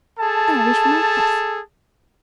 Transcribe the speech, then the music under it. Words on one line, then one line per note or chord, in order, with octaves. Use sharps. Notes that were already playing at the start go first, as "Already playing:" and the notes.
Then I reached for my glass.
G#4 A4 A5